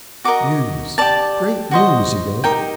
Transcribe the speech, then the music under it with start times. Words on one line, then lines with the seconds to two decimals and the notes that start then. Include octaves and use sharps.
'News! great news!' he wrote.
0.24 F#4 A#4 D#5 D6
0.98 G4 D5 A5
1.71 F#4 C5 D#5
2.44 D#4 G4 A#4 G5